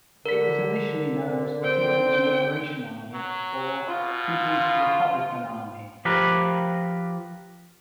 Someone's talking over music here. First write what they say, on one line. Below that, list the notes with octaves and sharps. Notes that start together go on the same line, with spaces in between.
It was initially known as the "People's Liberation Army" or "People's Republican Army".
D3 A#4 B6
C4 G5
F#3
B2 F4
F3 G4 A#4 B4